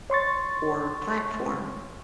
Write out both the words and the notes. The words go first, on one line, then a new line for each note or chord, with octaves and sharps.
or platform
C#5 C6 C#6 A6